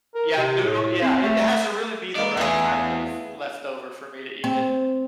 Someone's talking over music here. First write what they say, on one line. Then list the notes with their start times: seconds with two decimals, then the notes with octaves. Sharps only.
Yeah, noodle yeah, it has a really be the right kind of leftover for me to eat it.
0.15 A#4
0.37 C3
0.64 A2
1.02 C4
1.22 A3
2.15 G#3 A#3 B3 D5
2.37 E2 A3 B3 E4 F4 G#4
4.44 C4